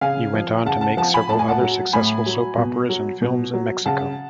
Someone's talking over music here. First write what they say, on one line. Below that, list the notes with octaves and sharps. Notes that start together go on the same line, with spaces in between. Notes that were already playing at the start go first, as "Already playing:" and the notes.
He went on to make several other successful Soap Operas and films in Mexico.
C#3 F5 G#5
F3
C#3 F#5 A5
F#5 A5
F3 F#5 A5
G#5 B5
A2 A5
G#5
F#5 A5
F#3
A2 G#5 B5
F#3
B2
F#3
B2
F#3
C#3 F#5 A5